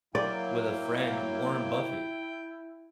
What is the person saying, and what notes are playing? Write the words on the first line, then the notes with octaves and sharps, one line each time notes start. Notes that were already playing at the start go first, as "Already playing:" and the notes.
with a friend Warren Buffett,
F#3 A#3 E4 D5 G5